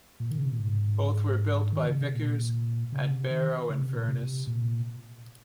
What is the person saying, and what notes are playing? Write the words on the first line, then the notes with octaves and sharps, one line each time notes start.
Both were built by Vickers at Barrow-in-Furness.
A#2
D#3
C#3
C3
A#2
G#2
D#3
C#3
C3
A#2
C#3
C3
D#3
C#3
C3
A#2
C3
A#2